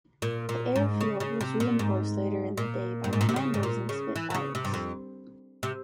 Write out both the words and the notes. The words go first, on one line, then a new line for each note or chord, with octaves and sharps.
The airfield was reinforced later in the day by commandos and Spitfires.
A#2
A#2
G#2
C#3
C#3
C3
A#2
G#2
A#2
G2
G#2
A#2
C3
C#3
G#2
A#2
C#3
E3
E3
C#3
C3
G2
F2
C3